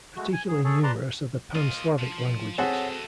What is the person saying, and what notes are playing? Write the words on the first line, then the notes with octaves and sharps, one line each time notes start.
Particularly numerous are the Pan-Slavic languages.
G#3 A3 F#4
G#5
G#2 G#4
G#4 A4 C#5
B4 D5 A5 A#5 C6
A#3 F4 D#5
F3
C4 F#4 G#4 A4 C5 C#5 E5 F#5